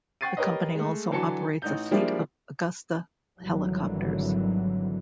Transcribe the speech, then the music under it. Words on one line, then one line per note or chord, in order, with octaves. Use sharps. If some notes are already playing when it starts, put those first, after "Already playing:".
The company also operates a fleet of Agusta Helicopters.
F#5 G5 C#6 A6 C7 D#7
G4 A#4 B4 C#5 D#5
G#3 A3
D3 E3 F#3 A5 C#7
A1 D#4 G6
F3 G3 G#3 A#3 D4 E4
G#1 D3 E3 F#3 G3